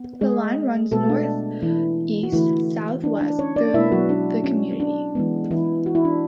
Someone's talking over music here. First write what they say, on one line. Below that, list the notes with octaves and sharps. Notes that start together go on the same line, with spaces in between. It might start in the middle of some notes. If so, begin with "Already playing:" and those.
The line runs northeast-southwest through the community.
Already playing: B3
G#3 G#4
B2 G#3 A3 B3 A4
D4
E3 E4
F#4
D3 E3 A3 E4
D4
D4
C#4 C#5
D4 D5
B2 G#3 B3 E4 E5
F#3 F#4
D4
C#4
D4
E3 G#3 B3
E3 E4
F#4
E4
D4